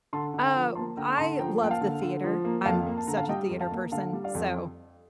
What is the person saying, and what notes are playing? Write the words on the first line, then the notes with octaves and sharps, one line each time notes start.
Uh, w I love the theater, I'm such a theater person, so
D3 A5 C6
D3
G5 A#5
F3
A#3 A5 C6
D3 G5 A#5
D3 A5 C6
F3 G5 A#5
A#3 G5
F5 A5
D3
D3
F3
A#3
F2 F5 A5
A#3
A5
D3 A#5
F5 A5
G3 D#5 G5
F2
F5 A5
A#3
D3 F5 A5
G3
D5 F5
F2